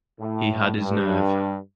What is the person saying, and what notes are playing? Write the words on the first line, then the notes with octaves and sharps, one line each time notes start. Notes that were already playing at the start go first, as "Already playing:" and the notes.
He had his nerve.
A2
G2